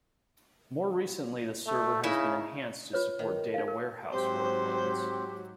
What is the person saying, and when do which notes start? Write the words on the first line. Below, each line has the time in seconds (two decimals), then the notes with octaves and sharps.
More recently the server has been enhanced to support data warehouse workloads.
1.67 A3
2.03 C#3 D#4 E4 E5
2.93 F4 B4 C#5
3.19 D#3
3.54 D#4 F5
3.68 A#4
4.13 G#2 F#3 C4 G4 C5